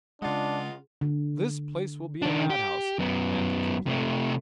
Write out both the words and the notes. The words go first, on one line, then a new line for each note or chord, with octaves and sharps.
"This place will be a madhouse," Handley complained.
C#3 G#3 D4 F4 D#5 F#5
D3
D#3 D4
G4
F#2 B3
C3 A3